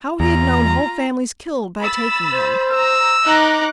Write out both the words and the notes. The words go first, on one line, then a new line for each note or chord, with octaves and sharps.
How he had known whole families killed by taking them.
E2 F4 A#5
B5 E6 A6
C5
A#5 E6
D#4 D#5 A#5 D6 F#6